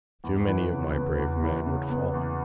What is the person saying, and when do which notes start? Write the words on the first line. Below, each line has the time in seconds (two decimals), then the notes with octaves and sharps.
Too many of my brave men would fall.
0.24 E2
0.47 E3
0.71 C#3
0.95 B3
1.19 E2
1.42 E3
1.66 C#3
1.90 B3
2.14 E2